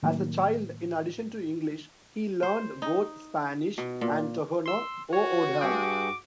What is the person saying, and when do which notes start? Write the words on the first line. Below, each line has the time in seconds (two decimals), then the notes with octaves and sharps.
As a child in addition to English he learned both Spanish and Tohono O'odham.
0.02 A2 D#3 F#3 A#3
2.42 C5
2.82 D#4
3.78 B2
4.01 A#2
4.66 C6 E6
5.13 F#4 C#5
5.61 G2 G#4 G5 D6